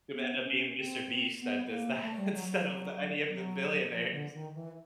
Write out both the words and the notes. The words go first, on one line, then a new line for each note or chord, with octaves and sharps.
It may end up being Mr. Beast that does that instead of the any of the billionaires.
B3
C#4
C4
B3
A#3
A3
G3
F#3
F#3
F#3
F3
D3
D#3
E3